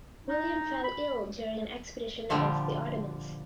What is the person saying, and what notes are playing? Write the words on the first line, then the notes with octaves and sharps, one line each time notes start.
William fell ill during an expedition against the Ottomans.
D#4
B5
A#2 D3 F3 G3